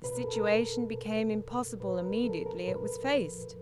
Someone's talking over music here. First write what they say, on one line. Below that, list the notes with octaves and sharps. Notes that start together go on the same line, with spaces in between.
The situation became impossible immediately it was faced.
B2 B4
A#4
A4
A#4
B2
A#2 B4
A#4
F3 A4
A#4
A#2 B4
F3